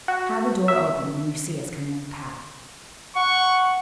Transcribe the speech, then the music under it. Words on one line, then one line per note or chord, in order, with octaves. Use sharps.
"Have the door open when you see us coming up the path."
F#4
E5
F#5 C#6